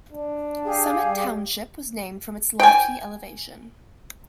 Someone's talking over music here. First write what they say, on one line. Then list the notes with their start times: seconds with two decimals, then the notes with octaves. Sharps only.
Summit Township was named from its lofty elevation.
0.13 D4
0.64 G4 G#4 F5
1.05 G3
2.60 G5 G#5